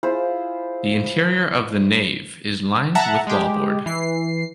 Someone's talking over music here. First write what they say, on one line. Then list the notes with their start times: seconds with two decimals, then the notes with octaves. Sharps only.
The interior of the nave is lined with wallboard.
0.03 E4 F4 G#4 C5
2.95 E5 F#5 A5 A#5
3.27 G#3 G4
3.86 E3 C7